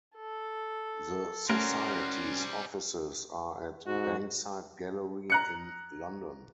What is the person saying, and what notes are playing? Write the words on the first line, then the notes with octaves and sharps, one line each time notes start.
The Society's offices are at Bankside Gallery in London.
A4
G3 A3 C4 C#4 F#4 A#4 C6
G#2 F#4
A#5 F#6 C#7